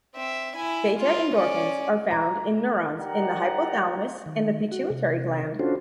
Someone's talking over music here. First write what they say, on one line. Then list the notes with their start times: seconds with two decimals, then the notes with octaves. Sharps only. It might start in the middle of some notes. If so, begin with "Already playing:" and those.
Beta-endorphins are found in neurons in the hypothalamus and the pituitary gland.
0.15 C4 E5
0.56 E4 G#5
0.99 F4
1.36 C#4 D5
2.11 A#5
2.98 D#4 G4 A#4 D5 F#5 A#5
4.26 D#3
4.72 F#4
4.90 C3
5.59 C#4 D4 F4 F#4 A4 C5